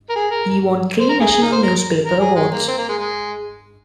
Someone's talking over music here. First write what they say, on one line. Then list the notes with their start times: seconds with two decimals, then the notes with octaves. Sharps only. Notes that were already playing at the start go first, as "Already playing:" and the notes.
He won three National Newspaper Awards.
0.10 A#4
0.15 G#4
0.31 A#4
1.00 C5
1.09 A#4
1.20 G#4
1.31 G#4
1.42 D#4
1.52 C5
1.63 A#4
2.04 A#4
2.20 G#4
2.35 G#3
2.51 A#3
2.68 C4
2.77 A#3
2.89 G#3
2.99 G#3